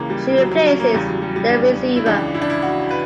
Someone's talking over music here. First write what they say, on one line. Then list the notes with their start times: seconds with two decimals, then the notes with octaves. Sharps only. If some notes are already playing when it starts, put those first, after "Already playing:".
She replaces the receiver.
Already playing: C#2 C#3 E3 A#3
0.10 G3
0.38 F#3
0.52 F#3
0.66 C#4
0.80 A#3
0.94 E2 C#3 E3 G3
1.08 F#3
1.22 G3
1.36 G3
1.49 D4
1.96 E4
2.06 C#2 C#3 E3 D4
2.35 E4
2.42 D4
2.50 E4
2.62 F#4
2.91 B4